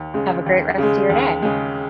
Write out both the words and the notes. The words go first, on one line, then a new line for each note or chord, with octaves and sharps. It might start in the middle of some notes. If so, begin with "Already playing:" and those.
have a great rest a your day.
Already playing: D#2
C#3 G#3
D#2
C#3 G#3
D#2
C#3 G#3